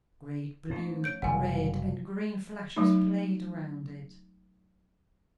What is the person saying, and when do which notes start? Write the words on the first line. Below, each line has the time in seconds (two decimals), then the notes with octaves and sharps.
Great blue, red and green flashes played around it.
0.70 G#2 F3 A3 C#4
1.04 C#5 G6 D7
1.22 F#1 C3 G3 F#5 G#5
2.76 F#3 A3 D#4